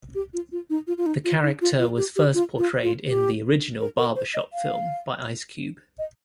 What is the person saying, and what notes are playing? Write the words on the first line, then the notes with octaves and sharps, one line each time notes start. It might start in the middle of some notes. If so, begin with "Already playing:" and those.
The character was first portrayed in the original "Barbershop" film by Ice Cube.
G4
F4
F4
D#4
F4
F4
D#4
F4
D#4
F4
F4
G4
G4
F4
F4
F4
G4
A#4
A#4
C5
D#5
F5
D#5